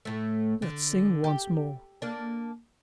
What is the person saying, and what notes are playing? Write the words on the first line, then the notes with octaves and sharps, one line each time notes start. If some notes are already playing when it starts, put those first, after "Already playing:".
Let's sing once more!
A2 A3
D3
G4
A#3 D4